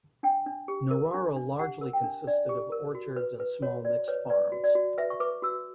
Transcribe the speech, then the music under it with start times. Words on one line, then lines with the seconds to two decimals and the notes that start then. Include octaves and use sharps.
Narara largely consisted of orchards and small mixed farms.
0.23 D4 G5
0.46 D4
0.68 G4
0.91 A#4
1.14 D4
1.36 D4
1.59 G4 F#5
1.81 A#4
1.93 G5
2.04 D4
2.27 D4 D5
2.49 G4
2.72 A#4
2.95 F#4
3.16 B4
3.40 B4
3.62 F#4 C#5
3.85 F#4 D5
4.08 B4 C#5
4.30 B4 D5
4.52 F#4
4.64 D5
4.75 F#4
4.98 B4 E5
5.10 C#6
5.20 B4 D6
5.42 F#4 E6